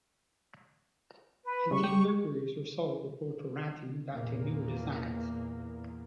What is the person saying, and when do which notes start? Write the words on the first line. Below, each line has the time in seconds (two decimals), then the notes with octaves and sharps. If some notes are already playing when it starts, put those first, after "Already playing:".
Nineteen Mercuries were sold before Ferranti moved on to newer designs.
1.45 B4
1.71 C#3 G3 C#6
1.84 G4
4.11 E2 A#2 A#3